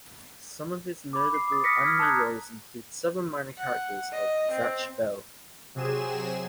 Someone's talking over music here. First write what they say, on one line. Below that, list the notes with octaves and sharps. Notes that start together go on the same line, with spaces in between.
Some of his notable anime roles include several minor characters of "Zatch Bell!".
B5 D6
C7
D6 D#6 A6
D#6 F6 A#6 B6 C#7
E6 F6 G#6 B6
A5 A#5 D#6 E6 F#6 G#6
F#5
D#5
C4
C3 F#3 C4 G#4 G#5 E7